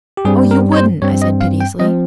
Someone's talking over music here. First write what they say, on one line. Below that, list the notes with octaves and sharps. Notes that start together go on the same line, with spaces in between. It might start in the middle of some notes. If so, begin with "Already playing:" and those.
"Oh, you wouldn't," I said piteously.
G4
G2 G3 C4 G#4
A#4
C#5
C5
G2 G3 C4 C#5
D#5
F5
G5
F3 C4 D#5